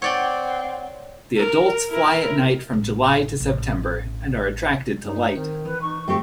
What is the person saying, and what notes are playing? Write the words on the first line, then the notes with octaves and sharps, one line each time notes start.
The adults fly at night from July to September and are attracted to light.
C4 C#5 D5 F#5 G5
A#4
E4 A#4
A1
A1
G2 D#4
D#3 C4
E3 B4
D#4 C#6
D3 A3 C4 G4 G5